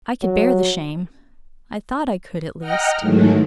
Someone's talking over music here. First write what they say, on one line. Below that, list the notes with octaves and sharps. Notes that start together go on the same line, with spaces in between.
I could bear the shame--I thought I could at least.
F#3
D#5 F#5 G5 A#5 F6
G#2 D#3 E3 F#3 G#3 A3